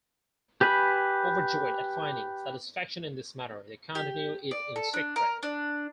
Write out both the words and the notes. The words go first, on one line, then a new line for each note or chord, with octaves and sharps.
Overjoyed at finding satisfaction in this manner, they continue it in secret.
G4 B4 G#5 B5
G4
D5
A4
D4
A#4
D4